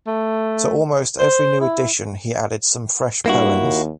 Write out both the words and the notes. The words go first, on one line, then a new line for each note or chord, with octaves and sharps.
To almost every new edition he added some fresh poems.
A3
C5
E4
G2 A#3 E4 F#4
D#2